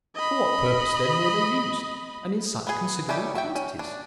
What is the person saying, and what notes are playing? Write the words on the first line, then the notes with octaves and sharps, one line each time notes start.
For what purpose, then, were they used, and in such considerable quantities?
D#5 B5
B3 G#4
G3 A3 C#4 D#4 G4
F#4 E5 G5
C#4
D4